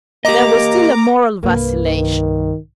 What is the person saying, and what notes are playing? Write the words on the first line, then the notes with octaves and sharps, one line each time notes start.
There was still a moral vacillation.
A#3 G4 D#5 A#5 D6
C2 G2 A#3 B4
D#3